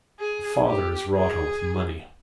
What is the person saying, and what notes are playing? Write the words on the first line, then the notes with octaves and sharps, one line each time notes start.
The father is rotto with money.
G#4
G4
G#4